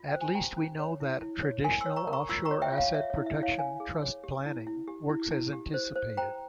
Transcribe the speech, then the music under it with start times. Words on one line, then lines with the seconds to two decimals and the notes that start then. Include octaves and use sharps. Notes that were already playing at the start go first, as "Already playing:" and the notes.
At least we know that traditional offshore asset protection trust planning works as anticipated.
Already playing: F4
0.08 G5
0.14 C5
0.21 G#5
0.35 G4 G5 A#5
0.57 C#4
0.79 C#5
1.00 E4
1.22 E4
1.43 C#5
1.64 A#4 G#5 C6
1.81 C6 E6
1.86 C#5
1.96 A#5 C#6
2.07 A#4
2.13 A#5 C#6
2.29 F4 C6 E6
2.45 A#5 C#6
2.51 C#5
2.62 E5 G5
2.72 F4
2.78 C#5 F5
2.94 C#5 E5
3.10 C#5
3.16 E4
3.26 E5
3.37 E4
3.43 C#5 F5
3.58 C#5 F5 G#5
3.80 G#4
4.02 C#5
4.24 G4
4.45 E4
4.67 E4
4.88 G4
5.10 E4
5.31 E4
5.53 G4
5.74 C5
5.95 C5
6.17 C5 G5 A#5